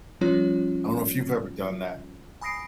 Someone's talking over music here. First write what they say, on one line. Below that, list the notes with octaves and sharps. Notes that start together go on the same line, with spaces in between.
I don't know if you've ever done that.
F3 G3 C#4 F4 C#5
G#5 B5 D#6 A#6 C7 D7